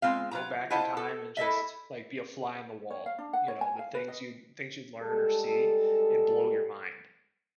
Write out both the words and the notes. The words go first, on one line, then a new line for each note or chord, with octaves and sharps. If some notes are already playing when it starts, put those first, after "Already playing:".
go back in time and just, like, be a fly on the wall, you know, the things you'd, things you'd learn or see, it'd blow your mind.
G#3 C4 F4 F5
F#3 F4 A#5
E4 F4 C5 D#5 F#5 A5
A4
E4 A4 D#5 E5
C#5
F5
D4
F#5
C#5
G#5
F5
B4
D#5
G3 G#3 A4